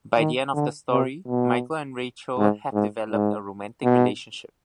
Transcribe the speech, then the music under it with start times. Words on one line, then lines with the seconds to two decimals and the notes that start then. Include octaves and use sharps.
By the end of the story, Michael and Rachel have developed a romantic relationship.
0.18 D#3
0.54 D3
0.91 C3
1.28 B2
2.38 G#2
2.73 G#2
3.10 G#2
3.84 B2